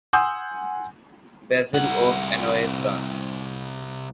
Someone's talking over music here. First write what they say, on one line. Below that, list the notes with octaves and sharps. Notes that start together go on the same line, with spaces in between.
Basil of Annonay, France.
F#5 G#5 C6 D#6 E6 G6
C2 F#5